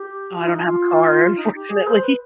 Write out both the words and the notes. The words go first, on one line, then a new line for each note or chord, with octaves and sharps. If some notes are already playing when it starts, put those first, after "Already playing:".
Oh, I don't have a car, unfortunately.
Already playing: G4
F4
D#4
F4
D#4
G4
G#4
C5
B4